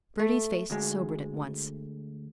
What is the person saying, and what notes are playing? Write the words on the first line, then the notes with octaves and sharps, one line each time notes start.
Bertie's face sobered at once.
A3
D2 G#3